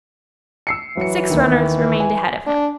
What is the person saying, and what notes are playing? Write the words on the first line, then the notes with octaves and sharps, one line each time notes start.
Six runners remained ahead of him.
E6 C7 C#7
E3 F#3 C#7
D#2 D#3
G#5
D4